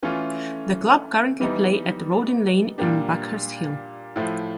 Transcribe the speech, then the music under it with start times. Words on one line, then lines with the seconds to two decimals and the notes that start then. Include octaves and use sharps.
The club currently play at Roding Lane in Buckhurst Hill.
0.03 E3 A3 C#4 F4 A4
1.40 E3 G3 B3 D#4
2.78 A#2 G3 A#3 D4 G4
4.16 A2 F3 A3